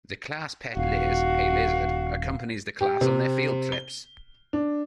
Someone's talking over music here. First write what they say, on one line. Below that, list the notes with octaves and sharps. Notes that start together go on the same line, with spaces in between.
The class pet Liz, a lizard, accompanies the class on their field trips.
D#1 F#4 F5
G4
C3
G7
D4